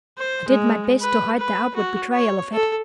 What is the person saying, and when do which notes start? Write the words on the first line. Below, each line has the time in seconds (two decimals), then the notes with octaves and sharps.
I did my best to hide the outward betrayal of it.
0.18 C5
0.48 G#3
1.01 B4
1.39 B4
1.76 F#4
2.13 C#5
2.53 A4